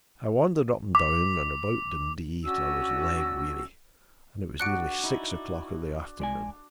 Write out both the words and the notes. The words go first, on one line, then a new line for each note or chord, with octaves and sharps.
I wandered up and down and about Dundee till I was leg-weary, and it was nearly six o'clock of the afternoon.
D6
C#4 D4 F#4 E6
D4 F#4 F#6 C#7 D7
D#4 E4
G#3 D5 G#5